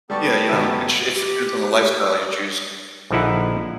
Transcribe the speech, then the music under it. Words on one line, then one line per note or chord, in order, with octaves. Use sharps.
Yeah, you know, it sh it depends on the lifestyle you choose.
G3 B3 G4 A4 D5 C#6
F#2 B2 E5
G4
A#1 D3 F3 D#4 E4 F#5